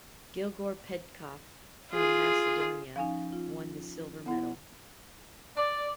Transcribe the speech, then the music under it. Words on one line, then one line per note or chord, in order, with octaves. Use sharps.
Gligor Petkov from Macedonia won the silver medal.
F4 G#4
F3 C#4 D#4 F5 G#5
F4
B3 E4 F#5
D5